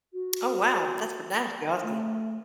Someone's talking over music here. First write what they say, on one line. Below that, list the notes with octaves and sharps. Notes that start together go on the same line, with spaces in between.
Oh, wow. That's for that's really awesome.
F#4
A3